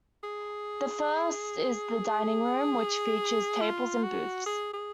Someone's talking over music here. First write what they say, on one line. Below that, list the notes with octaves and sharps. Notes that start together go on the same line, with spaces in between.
The first is the dining room which features tables and booths.
G#4
F4
F#4
G#4
G#4